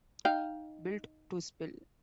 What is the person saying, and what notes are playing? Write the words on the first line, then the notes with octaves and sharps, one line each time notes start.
Built to Spill.
D#4 F5 G5